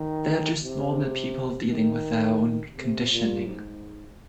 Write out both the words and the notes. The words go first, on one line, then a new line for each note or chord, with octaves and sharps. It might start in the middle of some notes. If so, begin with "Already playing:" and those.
They are just normal people dealing with their own conditioning.
Already playing: D#3
C3
D#3
C3
A#2
G#2